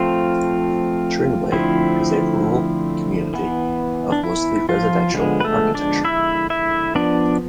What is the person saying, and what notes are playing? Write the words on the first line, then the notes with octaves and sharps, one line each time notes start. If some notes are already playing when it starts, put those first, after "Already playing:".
Trinway is a rural community of mostly residential architecture.
Already playing: F3 A3 C4 F4
D3 F3 A3 C4 E4
E3 B3
D4
E4
F3 F4
D3 F3 G#3 B3
B4
A3 A4
D4 D5
E4 E5
E4 E5
F3 B3 D4 D5